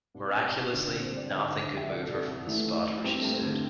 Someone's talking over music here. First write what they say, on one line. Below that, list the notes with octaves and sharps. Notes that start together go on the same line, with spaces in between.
Miraculously, nothing could move her from the spot where she stood.
C2 D4
C3
C2
D3 D4
C4
D3
C5
G2
D5
D3 E5
D3
D3
E5
C2 D5
A4
C2
C2
E3 A3
E3
E3
G2 C4
A3
G2
C4
D3